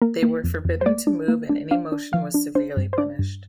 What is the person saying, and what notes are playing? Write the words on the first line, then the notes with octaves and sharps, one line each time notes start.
They were forbidden to move and any motion was severely punished.
A#3 A#4
A#3
F2
F2
C5
A#3 D5
D4
A#3
D4
D4 F5
D4
F3 F5
D4
D4 C5
G2
C5
D4 D5
G2